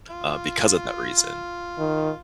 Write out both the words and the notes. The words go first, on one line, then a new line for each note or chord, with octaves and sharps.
uh, because of that reason,
F4
D#3